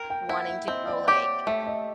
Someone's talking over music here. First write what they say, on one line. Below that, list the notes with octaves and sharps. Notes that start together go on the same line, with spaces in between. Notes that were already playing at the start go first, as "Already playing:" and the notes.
wanting to go like
Already playing: A#4 G5
G5
E4 F#5
E5
C4 D#5
D5
G4 C#5
A3 E5
D#5